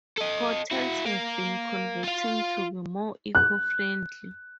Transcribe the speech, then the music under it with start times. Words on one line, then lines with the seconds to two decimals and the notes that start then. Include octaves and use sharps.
Hotels have been converting to be more eco-friendly.
0.18 A4 D#5
0.71 E4 F#4
1.06 A#4 F5
2.04 F4 F5
3.35 F#6